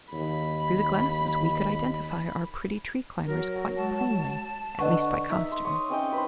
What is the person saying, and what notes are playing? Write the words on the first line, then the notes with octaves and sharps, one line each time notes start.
But through the glasses we could identify our pretty tree-climbers quite plainly, at least by costume.
D#2 B5
F#3 A#4
G#3 A5
D3 B4 D#5 F#5 C#6
D#4 E5
C6
C#5 F#5 D#6
C4 C#4 D#5 G5
B4 C5